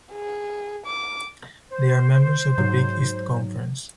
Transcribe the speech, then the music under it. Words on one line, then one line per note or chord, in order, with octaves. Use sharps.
They are members of the Big East Conference.
G#4
D6
C5
G#2 F#3